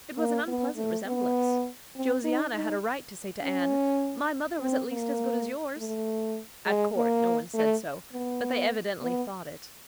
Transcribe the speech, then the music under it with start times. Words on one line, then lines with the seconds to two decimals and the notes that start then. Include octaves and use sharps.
It was an unpleasant resemblance. Josiana had a right to say to Anne, "My mother was at least as good as yours." At court no one said so, but they evidently thought it.
0.18 A#3
0.48 B3
0.77 A3
1.06 B3
1.96 C4
2.24 D#4
2.54 D#4
3.42 C#4
4.60 C4
4.90 A#3
5.77 A3
6.66 G#3
6.96 A#3
7.54 A3
8.13 B3
9.02 B3